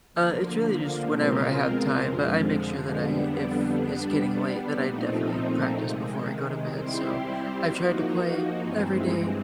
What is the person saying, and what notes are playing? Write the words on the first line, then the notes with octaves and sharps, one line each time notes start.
Uh, it's really just whenever I have time, but I make sure that I if it's getting late, that I definitely practice before I go to bed. So I've tried to play every day
D3 F3 A#3
B2 G#3 C4 F4 A#4
F2 D3 F3 G#3
F2 D3 G3 B3 D4
G3 B3 D4
A#2 F3 A3 C4 D#4
C3 D#3 G#3
G3 C4 E4 G4 C5
F3 A#3 D#4 F#4
G2 E3 G#3 C4